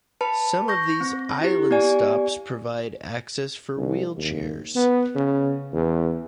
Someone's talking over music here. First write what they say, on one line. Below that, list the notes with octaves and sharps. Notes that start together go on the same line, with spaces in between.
Some of these "island" stops provide access for wheelchairs.
B4 A5 B5
C#6 G6 A#6
C4
E4 G4
B3 G4 D5 G#5
C2
D#2
B3
C#3
E2